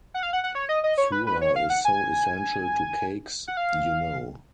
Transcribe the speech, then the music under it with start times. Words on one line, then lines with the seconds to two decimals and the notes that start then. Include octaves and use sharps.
Flour is so essential to cakes, you know.
0.14 F#5
0.23 F5
0.33 F#5
0.44 F#5
0.55 C#5
0.69 D#5
0.84 D#5
0.98 C#5
1.12 B4
1.27 B4
1.41 C#5
1.56 F5
1.70 F#5
1.85 G#5
3.48 F#5
3.57 F5